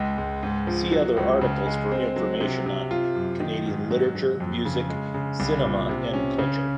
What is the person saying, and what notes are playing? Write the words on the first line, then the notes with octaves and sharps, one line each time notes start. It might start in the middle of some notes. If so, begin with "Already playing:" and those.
See other articles for information on Canadian literature, music, cinema and culture.
Already playing: C#2 G#3
C#2
G#2
F3
F#3
C#2
C#3
G#3
C4
F#3
C3
C3
F4
F#2
D#3
G#2
F#3
F#3
F2
C#3
G#3
C#3
C2
A#2
C3
C#4
C#3